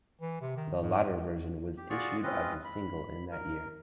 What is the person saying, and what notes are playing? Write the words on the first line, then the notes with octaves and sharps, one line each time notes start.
The latter version was issued as a single in that year.
E3
C3
D#3
G#2
G4
F4 F#4 G#4 D5 C#6
G#3 C4 C#4 F4 B4 D#5
B5
A#4